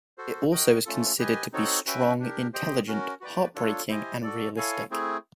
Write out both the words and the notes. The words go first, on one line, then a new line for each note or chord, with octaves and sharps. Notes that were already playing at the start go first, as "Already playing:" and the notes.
It also is considered to be strong, intelligent, heart-breaking and realistic.
F#4 A4 C5
F#4 A#4 D#5 G5
A3 C#4 F4 A4
G4 B4 D#5 G#5
C4 D#4 F#4 A4 C#5
C#4 F#4 B4 E5 G5
D4 G4 A#4
G4 C5 D#5 G5
C#4 F#4 A#4
F#4 B4 D5 G5
D4 F4 A4 C#5
E4 G4 C5 D#5 G#5
F#4 A4 D5
E4 A4 C#5 F5 G#5
A3 C4 E4 G#4